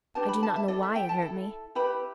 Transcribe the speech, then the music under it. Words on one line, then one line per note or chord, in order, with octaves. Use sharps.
I do not know why it hurt me.
D4 G4 B4 A5
B5
A5
E5
E4 A4 D5
E5
G5
A5
E4 A4
E4 G4 B4 B5